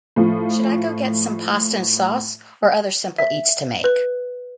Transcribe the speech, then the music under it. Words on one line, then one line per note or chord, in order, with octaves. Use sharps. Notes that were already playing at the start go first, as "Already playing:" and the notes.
Should I go get some pasta and sauce, or other simple eats to make?
A2 F3
E5
B4